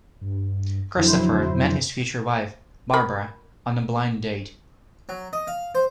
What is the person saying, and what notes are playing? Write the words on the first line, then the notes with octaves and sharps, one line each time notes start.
Christopher met his future wife, Barbara, on a blind date.
G2
F2 D3 F#3 E4 C5
A#4 B5
F#3
D#5
F5
C5